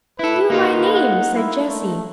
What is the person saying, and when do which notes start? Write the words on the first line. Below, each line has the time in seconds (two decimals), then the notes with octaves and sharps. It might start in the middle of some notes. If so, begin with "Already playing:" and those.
"He knew my name," said Jessie.
0.19 E4 A4 B4
0.50 A#3 D#4 F4
0.93 F#5
1.35 E4
1.69 A3